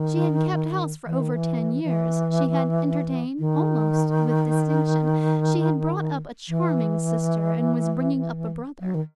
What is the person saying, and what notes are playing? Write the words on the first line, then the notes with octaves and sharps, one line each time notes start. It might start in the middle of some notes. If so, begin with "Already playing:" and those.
She had kept house for over ten years; she had entertained, almost with distinction; she had brought up a charming sister, and was bringing up a brother.
Already playing: D#3
E3
D#3
E3
E3
D#3
E3
F#3
D#3